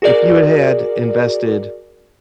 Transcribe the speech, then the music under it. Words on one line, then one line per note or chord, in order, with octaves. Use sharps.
if you had had invested
F#4 G#4 A#4 D5